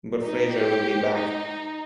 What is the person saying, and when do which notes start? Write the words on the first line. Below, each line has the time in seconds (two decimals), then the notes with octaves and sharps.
But Fraizer will be back.
0.21 D#4
0.52 G4
1.14 D#4